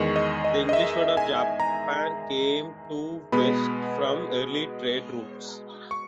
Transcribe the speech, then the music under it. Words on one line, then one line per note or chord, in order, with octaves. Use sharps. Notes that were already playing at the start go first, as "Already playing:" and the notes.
The English word for Japan came to the West from early trade routes.
Already playing: E2 D#3 G#3 C#6
D#5
D#5
D#5
E5
G#5
A#5
B2 G#3 B3 B5
C#6